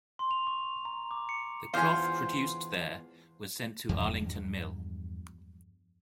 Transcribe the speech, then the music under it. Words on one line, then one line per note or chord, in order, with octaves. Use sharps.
The cloth produced there was sent to Arlington Mill.
C6
F7
C#6
A#5
D6
C#7
E2 D4 F4 C5 F5 G#5
E2 G2 F3 G#3